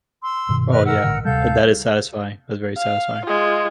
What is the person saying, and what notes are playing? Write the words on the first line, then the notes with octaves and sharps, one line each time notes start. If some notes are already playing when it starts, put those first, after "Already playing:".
Oh, yeah. Th that is satisfying, that's very satisfying.
C6 E6
G2 B2 D#3
B4 D#5 F6
A#4 F#5 E6
A1 G#2 D3
D2 C3 G3 A4 F5 G6
F5
G#3 F4